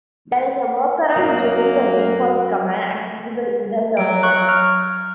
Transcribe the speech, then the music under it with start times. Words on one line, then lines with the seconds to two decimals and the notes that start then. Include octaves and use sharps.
There is a workaround using the defaults command accessible in the Terminal.
1.16 F#2 F#3 A#3 F#4 C#5
3.97 F#3 D7
4.23 C#6 F#6
4.49 F6